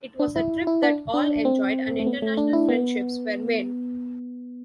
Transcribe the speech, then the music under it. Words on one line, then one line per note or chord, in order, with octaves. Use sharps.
It was a trip that all enjoyed and international friendships were made.
D4
E4
E4
D4
D4
C4
A3
B3
A3
D4
E4
B3